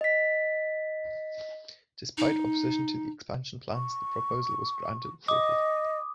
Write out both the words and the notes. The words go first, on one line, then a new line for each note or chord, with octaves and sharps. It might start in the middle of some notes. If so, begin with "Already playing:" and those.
Despite opposition to the expansion plans, the proposal was granted approval.
D#5 B6
D#4
C#6
D#5 D6 D#6